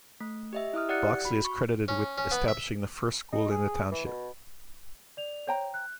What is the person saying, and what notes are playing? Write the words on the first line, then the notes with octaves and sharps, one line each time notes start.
Boxley is credited with establishing the first school in the township.
A3
G4 D#5 E5
E4 E5 D#6 F6
G4 D5 F#5 F#6 A6 C#7
F#4 B5
C#6
C#4
C#4
B3
E5
D#4
G#4
E3
B2
D5 F7
C5 C#5 G5 A#5
F#6